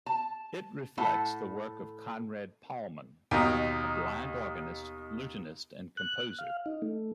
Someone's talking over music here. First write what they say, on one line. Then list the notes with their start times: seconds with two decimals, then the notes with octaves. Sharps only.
It reflects the work of Conrad Paumann, a blind organist, lutenist, and composer.
0.06 A5
0.97 A2 E4 A4 F#5 A5
3.31 D#2 B2 D#4
5.97 F#6
6.39 F5
6.66 D#4
6.82 A3